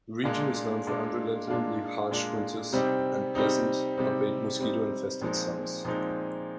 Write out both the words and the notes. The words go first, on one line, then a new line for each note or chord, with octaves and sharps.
The region is known for unrelentingly harsh winters, and pleasant, albeit mosquito-infested summers.
A#2 G#3 D4 F4
A#2 G#3 D4 F4
A#2 G#3 D4 F4
A#2 G#3 D4 F4
C3 G3 C4 D#4
C3 G3 C4 D#4
C3 G3 C4 D#4
C3 G3 C4 D#4
A#2 F3 G#3 C4 D#4
A#2 F3 G#3 C4 D#4